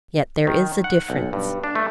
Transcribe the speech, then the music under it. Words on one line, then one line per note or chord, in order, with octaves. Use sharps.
Yet there is a difference.
D#3
F#5
B1
G2
D4
A3